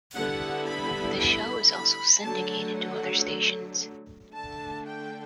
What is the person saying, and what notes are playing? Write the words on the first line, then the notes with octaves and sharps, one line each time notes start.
The show is also syndicated to other stations.
D3 G3 B3 E4 F#5
B5
B5
B5
D3 F#3 A3 A5
F#5
D3 A3 D4 A5
G5